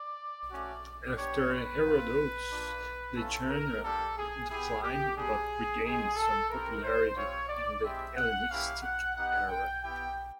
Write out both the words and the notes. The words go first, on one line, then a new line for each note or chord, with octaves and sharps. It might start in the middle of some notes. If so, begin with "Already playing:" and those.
After Herodotus, the genre declined but regained some popularity in the Hellenistic era.
Already playing: D5
A3 C#4 F#4
B3 D4 G4 C#5
B4
C4 F4
A#3 D4 F4
A3 C#4 F4 A4
A#4
G3 A#3 D4 G4 A4
G#4
B3 E4 G4 G#4
G4
G3 B3 D4 G#4
C4 D#4 G4 G#4
A4
C4 E4 G4 A#4
C5
G3 C4 F4 C#5
D5
G#3 C4 E4 G4 E5
F#5
A#3 C#4 E4 G4 F5
F#5
B3 D#4 G4 F#5
G5
B3 E4 G4 G5